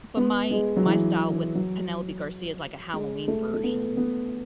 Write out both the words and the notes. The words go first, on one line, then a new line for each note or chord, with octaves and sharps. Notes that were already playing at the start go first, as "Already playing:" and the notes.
but my my style with Penelope Garcia is like a Halloween version
B3
G#3
F#3
E3
F#3
G#3
A3
A3
B3
B3